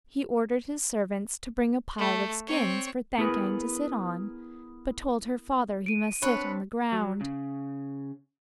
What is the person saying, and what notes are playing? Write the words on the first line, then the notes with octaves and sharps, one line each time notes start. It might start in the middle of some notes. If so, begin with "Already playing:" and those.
He ordered his servants to bring a pile of skins for Thakane to sit on, but told her father he must sit on the ground.
A3
C4 C#5
B3 E4 G#4 A#4 B4
D7 D#7
C4 D4 B4 C#5
F#3
C#3